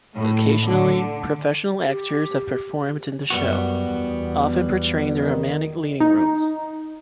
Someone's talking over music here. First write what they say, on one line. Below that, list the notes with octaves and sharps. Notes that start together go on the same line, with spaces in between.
Occasionally, professional actors have performed in the show, often portraying the romantic leading roles.
A2
D3
G4
F#2 G3 B3 F#4
E2
D#3
D#4